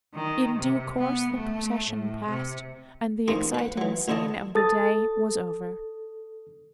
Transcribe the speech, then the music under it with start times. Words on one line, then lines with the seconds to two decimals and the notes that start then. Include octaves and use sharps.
In due course the procession passed, and the exciting scene of the day was over.
0.14 D#3
0.59 C3
0.97 B3
1.33 A3
1.88 A2
2.28 C3
3.28 A1 F2 G#2 F3 A#3 A#4
3.54 B4 F#5
3.78 E3 F#3
4.08 A1 D3 E4 C#5 D#5 A5
4.55 A4 D#6 A6